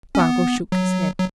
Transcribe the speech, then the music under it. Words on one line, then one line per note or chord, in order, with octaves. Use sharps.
Spargo shook his head.
C#4
B3
F#3
F#3